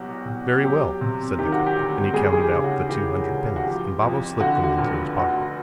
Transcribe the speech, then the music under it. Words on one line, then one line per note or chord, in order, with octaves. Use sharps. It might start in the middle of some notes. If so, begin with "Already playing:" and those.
"Very well," said the cook, and he counted out the two hundred pennies, and Babo slipped them into his pocket.
Already playing: C2 B2 F#3 F#4 G4
C2
F#3 G4
C3
D#3 G4
F#4
G4
D2
G3 G#4
G#4
G4
C#3
F#4
E3 G4
C#2
F#4
F3 G4
F2
D3 F#4
F#4
F1
D2 F#4